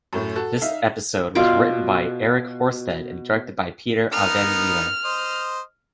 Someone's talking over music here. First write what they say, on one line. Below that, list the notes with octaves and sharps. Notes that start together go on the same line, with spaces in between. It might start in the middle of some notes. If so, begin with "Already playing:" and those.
This episode was written by Eric Horsted and directed by Peter Avanzino.
F#2 A2 A3
F#4 A4
D#4 E5 F5
B2 F4 D5 D6
B3 D#4 A#4 F6
C5 D#5